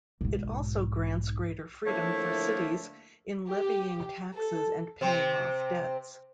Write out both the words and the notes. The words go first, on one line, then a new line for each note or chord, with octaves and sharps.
It also grants greater freedom for cities in levying taxes and paying off debts.
B1 G#2
D3 F3 A3 A#3 E4 C#5
G4
A4
C3 C4